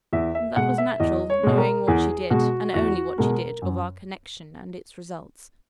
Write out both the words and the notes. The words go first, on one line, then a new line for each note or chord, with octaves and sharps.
That was natural, knowing what she did, and only what she did, of our connection and its results.
E2 E5
E5
B2 G#3 F#5
E5
E2 D#5
C#5
B2 G#3
A#4
E2 G#4
B2 G#3 F#4
E2 F#4
B2 G#3 A#4
F#2